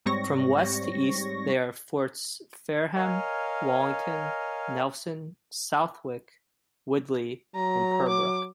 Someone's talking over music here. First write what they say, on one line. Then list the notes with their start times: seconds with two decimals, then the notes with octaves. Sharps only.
From west to east they are forts Fareham, Wallington, Nelson, Southwick, Widley and Purbrook.
0.06 G#2 G3 C4 C#5 C#6 A#6
2.95 A#4 C#5 D#5 F5 G#5
7.56 F#3 A#5
8.09 D6